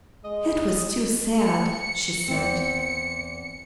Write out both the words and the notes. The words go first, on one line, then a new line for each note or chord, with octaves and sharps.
"It was too sad," she said.
G#3 D#5
C#7
E2 C4